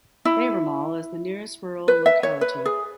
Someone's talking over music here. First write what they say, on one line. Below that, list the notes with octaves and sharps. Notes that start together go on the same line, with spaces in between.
Bayramaul is the nearest rural locality.
E4
B4
E5
C#5
B4
G#4